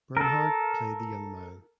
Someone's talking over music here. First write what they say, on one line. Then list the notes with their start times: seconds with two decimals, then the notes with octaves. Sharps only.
Bernhardt played the young man.
0.17 A4 A#4